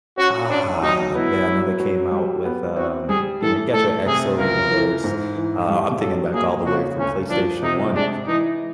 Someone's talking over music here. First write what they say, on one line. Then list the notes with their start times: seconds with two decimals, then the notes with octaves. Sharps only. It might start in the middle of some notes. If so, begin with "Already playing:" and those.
Ah man, I know they came out with, um you know, you got your Exo Universe, uh, I'm thinking back all the way from PlayStation One.
0.17 C#4 F#4
0.50 C#4 D4
0.83 F#3 D#4
1.15 B3 E4
1.48 F#3
1.80 F#3
2.12 G3
2.45 B3
2.76 C4 F#4
3.09 G3 G#4
3.42 E3 A4
3.74 A3 A4
4.06 C3 G#4
4.39 C#2 A#4
4.72 E3
5.04 G#2
5.36 E3
5.69 G3
6.00 F#3 A4
6.33 A#3 G#4
6.66 C#3 F#4
6.98 D2 C#4
7.30 F3 D4
7.63 C3 D#4
7.95 G#3 D4
8.27 E3 D#4